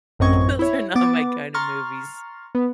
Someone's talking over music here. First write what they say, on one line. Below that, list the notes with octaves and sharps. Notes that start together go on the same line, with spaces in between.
Those are not my kind of movies.
A1 F#2 C4 D#5 C#6 G#6
E4 C#5
B3 D6 A6
A#5 C6 C#6 F6 A6
B3